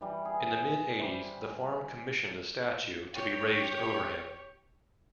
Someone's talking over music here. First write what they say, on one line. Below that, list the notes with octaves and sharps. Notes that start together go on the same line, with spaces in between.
In the mid-eighties, the farm commissioned a statue to be raised over him.
E3 G3
G#4
G3 C5 E5
G4 C#5